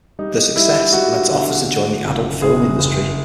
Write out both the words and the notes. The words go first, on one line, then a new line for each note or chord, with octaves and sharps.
Their success led to offers to join the adult film industry.
G3 D#4
G3 E4
G3 F#4
D3
D3
F#1
F#1 G#4
F#1